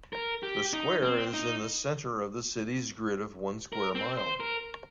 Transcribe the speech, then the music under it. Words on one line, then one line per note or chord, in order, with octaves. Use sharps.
The square is in the centre of the city's grid of one square mile.
A#4
G4
D#4
C4
D#4
A#4
C4
C5
A#4